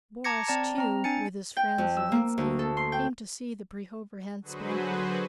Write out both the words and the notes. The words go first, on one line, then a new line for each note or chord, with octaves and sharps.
Boris, too, with his friend Zhilinski, came to see the Preobrazhensk banquet.
A5 A#5 D6 G#6 A#6 C#7
C4 D5 A5 A#5
C4 A#5
D4 G#5 A6 C#7
G5
F2
E6
A#3
D2
A4
C6
G5
D3 F#3 F#4 G#4 B4 C5